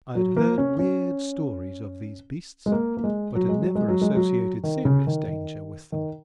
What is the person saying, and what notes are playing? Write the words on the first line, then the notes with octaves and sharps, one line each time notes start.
I had heard weird stories of these beasts, but had never associated serious danger with them.
F#3
A#3
C#4
C#4
G#3
A#3
A#3
G#3
F#3
G#3
F#3
G#3
F#3
G#3
F#3
D#3
C#3
D#3
D#3
D#3